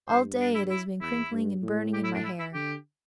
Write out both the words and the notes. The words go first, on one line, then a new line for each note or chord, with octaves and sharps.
All day it has been crickling and burning in my hair.
G2 C5
D4
E4
E4
E2 E4
G2
A2
G4
E4
D4
E4
E4
D3 G4